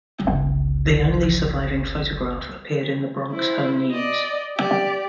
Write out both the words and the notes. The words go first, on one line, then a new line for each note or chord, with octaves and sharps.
The only surviving photograph appeared in the "Bronx Home News".
G1 C#2
E4 C5
D5 D#5
G4 D5